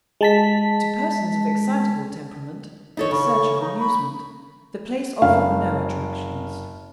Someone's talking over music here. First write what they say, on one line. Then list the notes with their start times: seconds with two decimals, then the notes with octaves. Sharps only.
To persons of excitable temperament, in search of amusement, the place offered no attractions.
0.21 G#3 A5 B6
2.97 D#4 A4 C#5
3.11 C#3 C#6
3.61 D#4
3.78 B5
5.22 F#1 F5